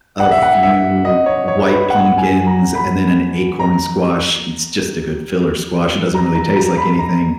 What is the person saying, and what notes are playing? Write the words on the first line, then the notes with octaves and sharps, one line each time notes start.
a few white pumpkins, and then an acorn squash it's just a good filler squash, it doesn't really taste like anything.
F#5
E5
F#5
E5
D#5
C#5
C#5
B4
F#5
G#5
A#5
B5
A#5
A#5
A#5
A#5
B5
A#5